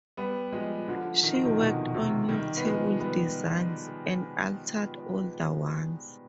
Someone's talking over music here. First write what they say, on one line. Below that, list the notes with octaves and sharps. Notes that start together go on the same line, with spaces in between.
She worked on new table designs and altered older ones.
G3 B3
F3 G#3
D3 F3
D#3
F3
C3 D#3
B2 D3
C3 D#3
D#3 G3
B3
F3 G#3
G3 B3